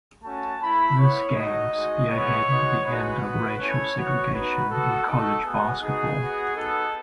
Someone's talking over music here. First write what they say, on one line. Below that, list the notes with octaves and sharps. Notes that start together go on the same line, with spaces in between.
This game spearheaded the end of racial segregation in college basketball.
A3 C#4 F#4 A5
A3 E4 B5
B3 E4 C#5
A3 D#4 F#4 D#5
G#3 D#4 F#4
G#3 B3 E4 C#5
G#3 B3 D#4 F#4
G#3 D#4 F#4 B4
B3 F#4
A3 C#4 E4 C#5
B3 F#4 C#5
B3 D#4 F#4 B4
B3 F#4 A4
A3 D#4 F#4 A4
B3 F#4 G#4
B3 D#4 F#4 G#4
B3 F#4
B3 D#4 F#4 A4